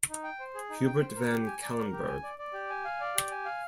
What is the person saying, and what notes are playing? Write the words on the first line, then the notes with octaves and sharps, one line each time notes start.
Hubert Van Calenbergh.
D#4
G5
C5
G#4
D#4
G5
C5
A#4
G4
G#5
D5
A#4
G4
G#5
D5
D5
G4
G#5
F5
D5
G4
G#5
F5